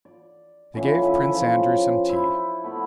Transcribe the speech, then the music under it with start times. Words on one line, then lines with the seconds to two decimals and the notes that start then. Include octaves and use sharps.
They gave Prince Andrew some tea.
0.05 D5
0.74 A#2 D3 E3 C#4
1.02 C#4 B4 E5
1.30 C#3 F3
2.09 E4 C5
2.64 A3 B3 B5